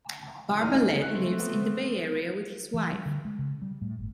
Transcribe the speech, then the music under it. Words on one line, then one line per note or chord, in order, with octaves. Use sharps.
Barbalet lives in the Bay Area with his wife.
E2 D#4 G#4 D#5 F6
A3 C4 F#6
B3
E3
G3
D3
G#3
C#3
G3
A2
G1